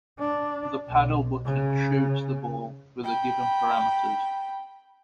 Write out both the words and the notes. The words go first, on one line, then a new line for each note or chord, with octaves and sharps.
The paddle button shoots the ball with the given parameters.
D4
B1
C#3
G5 B5